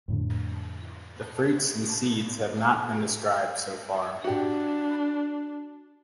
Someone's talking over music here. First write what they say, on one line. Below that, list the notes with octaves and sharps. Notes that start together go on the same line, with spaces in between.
The fruits and seeds have not been described so far.
F2 A2 D3
D4 F#4 G4